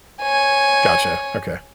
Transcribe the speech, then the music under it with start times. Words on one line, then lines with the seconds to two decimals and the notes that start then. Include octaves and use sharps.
Gotcha, okay.
0.22 C#5 G#5